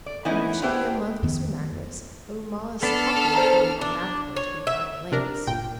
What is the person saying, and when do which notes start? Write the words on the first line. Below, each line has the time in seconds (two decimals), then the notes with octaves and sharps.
"We shall be a month with Sir Magnus; but mamma is talking of going on afterward to the Italian lakes."
0.06 D5
0.25 E3 B3 C#4 D#4 E4
0.62 B3 D4 E4 G4 G#4 C5
1.23 F2 D#3 B3
2.83 B3 D4 A4 F6
3.35 C5 A5 A#5
3.81 D4
4.36 C#5
4.67 E5
5.12 C3 D4 A#4
5.47 G1 A#2 G5